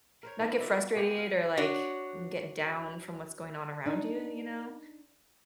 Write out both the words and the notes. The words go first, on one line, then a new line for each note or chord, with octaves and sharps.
not get frustrated or, like, get down from what's going on around you, you know?
A#4 C5 C#5
D#3 A#3 B3
F4 F#4 D5 E5
A3 B3 G4 G#4
F5
D4 F#4 C#5
D4 D#4